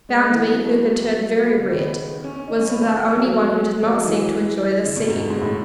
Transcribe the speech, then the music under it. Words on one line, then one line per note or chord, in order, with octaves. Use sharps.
Bounderby, who had turned very red, was the only one who did not seem to enjoy the scene.
G#3
E3
F#3
G#3
A3
B3
A3
F#3
B3
C#3
D#3
B3
C#4
C#4
D#4
C#4
B3
A3
F#3
F#3
G#3
F#3
G#3
E3
C#3
B2
G#2
G#2
G#2
A2